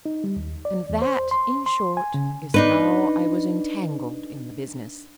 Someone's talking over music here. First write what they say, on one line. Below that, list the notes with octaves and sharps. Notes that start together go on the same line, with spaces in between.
And that, in short, is how I was entangled in the business.
D#4
G3
D#2
D5
E2
C5
C6
C6
G#5
C#3
D4 D#4 B4